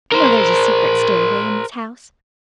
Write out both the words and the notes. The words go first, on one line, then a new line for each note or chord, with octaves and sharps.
You know there's a secret stairway in this house.
A#4 C5